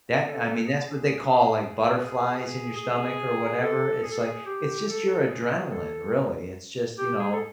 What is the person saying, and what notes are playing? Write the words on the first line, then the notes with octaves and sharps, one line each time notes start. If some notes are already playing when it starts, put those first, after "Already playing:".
That I mean, that's what they call like butterflies in your stomach or whatever. It's like, it's just your adrenaline, really. It's just, you know,
A4
G#4
G#4
G#4
A4
G#4
A4
G#4
G4
A4
G#4
A4
G4
G#4
A4